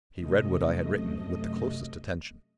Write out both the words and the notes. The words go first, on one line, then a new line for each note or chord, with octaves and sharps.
He read what I had written with the closest attention.
F#2 C3 A3 D#5